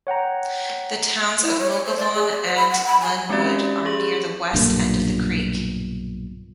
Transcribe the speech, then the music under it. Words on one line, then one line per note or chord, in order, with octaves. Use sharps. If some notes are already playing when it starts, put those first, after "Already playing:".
The towns of Mogollon and Glenwood are near the west end of the creek.
C#5 F#5 G5 A#5
E4
C#5
C#5
C5
D5
G#4
D5
C5
B5
F#5
B5
G#5
G#3 C4 C#4 F#4 G4 D5
G4 G#4 C#6 F#7
B1 G2 A#2 D3